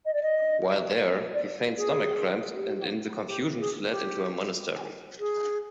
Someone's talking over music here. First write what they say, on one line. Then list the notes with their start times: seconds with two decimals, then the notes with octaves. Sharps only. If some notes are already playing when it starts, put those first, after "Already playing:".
While there, he feigned stomach cramps and in the confusion fled into a monastery.
0.05 D#5
0.13 D5
0.23 D#5
1.34 D5
1.77 G#4
3.27 G4
3.59 G#4
3.91 G4
5.19 G#4